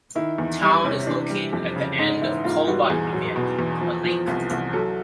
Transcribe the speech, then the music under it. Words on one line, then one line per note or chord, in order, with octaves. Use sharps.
Town is located at the end of Kolbotnvannet, a lake.
D#3 E4
E2
G3
C3 C#4
E3 D4
G3
F2
C#3
G#2 D#4
E3 E4
G#2 F4
G3 F#4
E2 G#4
F#3
B2
E2
F3
F3
C2
C2
F#3 A4